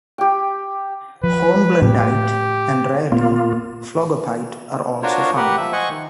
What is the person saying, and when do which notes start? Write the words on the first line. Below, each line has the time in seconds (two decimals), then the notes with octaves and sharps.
Hornblendite and, rarely phlogopite, are also found.
0.18 G4 G5
1.24 F3 B4
1.82 A2 G4
3.12 A#2 A#3 B3 F4
5.03 D4 F4 F#4 A#4 C5 C#5
5.36 G4 A#4 B4 F#5
5.57 F3 E5
5.73 C5 D#5 F#5 G#5 C#6
5.90 D#3